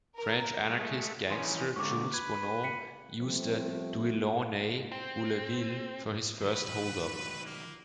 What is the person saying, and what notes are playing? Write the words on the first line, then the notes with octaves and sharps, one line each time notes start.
French anarchist gangster Jules Bonnot used a Delaunay-Belleville for his first hold-up.
A#4
G#3 A3
E3 C#4 D#4 C6 D#7
G#2 D3 C#6 D6
B4 G#6
B6 C#7 D#7
F3 G3 A3 B3 C4
C4
D#3 F#3 B4
A#3